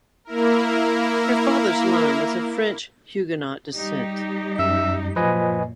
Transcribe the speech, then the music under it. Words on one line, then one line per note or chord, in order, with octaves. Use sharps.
Her father's line was of French Huguenot descent.
A#3 E4 A#4
G3 D#4 G4
F#2 E5
F#2 A#2 F3 B4 D#5 G#5